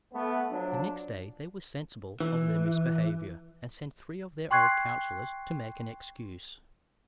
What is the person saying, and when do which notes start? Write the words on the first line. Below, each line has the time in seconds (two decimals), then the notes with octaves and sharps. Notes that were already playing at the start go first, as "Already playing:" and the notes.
The next day they were sensible of their misbehavior, and sent three of their old counsellors to make an excuse.
0.13 A3 B3
0.51 F3 F#3 D4
2.20 E3
4.51 G5 C6 C#6 F#6 G#6 C7